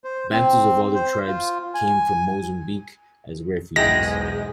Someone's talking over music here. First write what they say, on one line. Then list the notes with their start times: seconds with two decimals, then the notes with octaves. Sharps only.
Bantus of other tribes came from Mozambique as refugees.
0.04 C5
0.32 C4
0.95 C5
1.27 F4
1.74 G#5
3.76 B1 E2 G#2 G#3 E4 F#4 G5 A#6